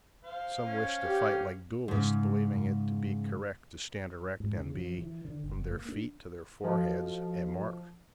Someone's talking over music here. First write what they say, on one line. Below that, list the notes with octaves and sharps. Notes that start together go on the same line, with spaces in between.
Some wished to fight like duelists, believing it to be correct to stand erect and be, from their feet to their foreheads, a mark.
C5 F5
C#4
G4
G#2 C#3
G#2
C#3
F3
E3
D3
F#1
A#3
D4
F3 F#4 A4 D#5